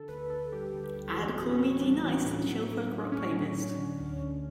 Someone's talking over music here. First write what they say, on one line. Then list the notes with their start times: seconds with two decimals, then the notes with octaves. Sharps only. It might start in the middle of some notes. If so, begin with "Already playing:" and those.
Add Call Me D-Nice to the Chill Folk Rock playlist.
Already playing: D3 A4
0.09 D2 B4
0.30 D2 A4
0.52 G3 G4
0.74 D3
0.84 G4
0.95 D2
1.16 E3 F#4
1.39 A2
1.49 C#4
1.60 A2
1.82 G3 D4
2.03 E3
2.26 A2
2.47 F#3
2.70 A2
2.91 F#3
3.12 A2 C#4
3.34 F#3
3.55 A2
3.78 D3
4.00 D2
4.21 D2